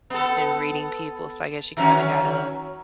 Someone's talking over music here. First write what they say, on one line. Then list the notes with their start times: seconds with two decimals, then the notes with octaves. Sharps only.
in reading people so, I guess you kinda gotta
0.10 B3 A4
1.77 D#3 F#3 C#4